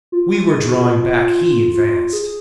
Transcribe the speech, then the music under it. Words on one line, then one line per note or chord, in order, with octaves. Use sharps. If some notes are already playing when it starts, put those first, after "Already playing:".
We were drawing back, he advanced!
F4
G#4
F4
F4
G#4